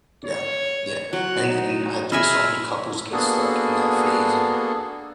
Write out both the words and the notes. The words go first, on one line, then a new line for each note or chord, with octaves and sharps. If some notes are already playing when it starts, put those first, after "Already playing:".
Yeah, yeah. And and I think so many couples get stuck in that phase of
C#5
F#3 F#5
D#4
G#4 D#5 E5 G#5 B5 E6 F6
A#3 B3 D4 F#4 G#4 A4